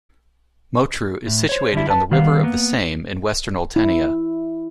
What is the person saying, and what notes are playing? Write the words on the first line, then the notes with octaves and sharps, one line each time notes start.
Motru is situated on the river of the same in western Oltenia.
A2
C5 C#5
D3 G3 E4
B4 A5
D#3 G3 B3 F5
A#3 B3
E4